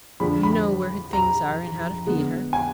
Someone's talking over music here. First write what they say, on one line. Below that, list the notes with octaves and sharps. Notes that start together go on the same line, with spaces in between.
You know where her things are, and how to feed her.
F2 D3 F3 G#3 D4 B5
B5
A#5
D3 G#3 B3
G#5